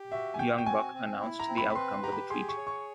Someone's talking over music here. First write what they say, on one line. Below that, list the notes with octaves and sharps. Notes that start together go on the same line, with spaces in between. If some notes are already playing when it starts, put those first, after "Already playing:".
Young Buck announced the outcome with a Tweet.
Already playing: G4
F#4 E5
G#5
F#4 G5
G5
C4 G#5
C4
E4
A#5
C4
B5
B5
B4 C6
C6
G4 A#5
B5
G#4 C6
C#6
C#5
C#6